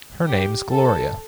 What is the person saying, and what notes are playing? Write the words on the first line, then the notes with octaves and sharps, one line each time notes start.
Her name's Gloria.
G4
A4